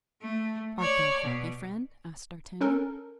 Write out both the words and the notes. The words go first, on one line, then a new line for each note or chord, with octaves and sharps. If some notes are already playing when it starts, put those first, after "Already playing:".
"Art thou happy, friend?" asked D'Artagnan.
A3
C#5 D5
B2
C#4 A4 A#4